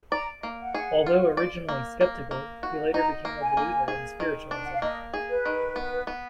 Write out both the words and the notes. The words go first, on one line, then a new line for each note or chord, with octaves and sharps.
Although originally skeptical, he later became a believer in spiritualism.
D5 A#5
A#3
F#5
G#4
F4
D5
A#3
A#3
A#3
F#4
D#4 A#5
A#3
G#5
A#3
G#4
D#3
D4
F#5
F5
A#3 D#5
G#4
B4
D#3
B3
B3